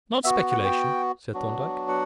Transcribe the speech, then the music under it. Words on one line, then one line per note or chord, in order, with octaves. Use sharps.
"Not speculation," said Thorndyke.
B3 F#4 E5
F#5
F#5
G5
F#3 B3 D4 F#4
F#5